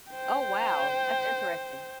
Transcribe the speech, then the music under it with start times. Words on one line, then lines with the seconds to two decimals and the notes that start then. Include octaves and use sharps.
Oh, wow, that's interesting.
0.12 C5 G5